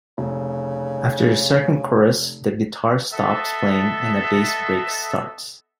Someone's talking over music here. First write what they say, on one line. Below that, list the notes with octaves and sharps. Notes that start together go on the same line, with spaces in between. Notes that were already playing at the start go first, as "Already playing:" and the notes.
After the second chorus the guitar stops playing and a bass break starts.
F1 C#3
B3 A4 D#5 E5 A5